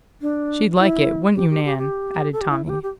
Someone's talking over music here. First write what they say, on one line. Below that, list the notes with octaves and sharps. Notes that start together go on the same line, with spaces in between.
"She'd like it; wouldn't you, Nan?" added Tommy.
D4
E4
G4
G4
G4
G4
A4
G4
E4
E4
G4
G4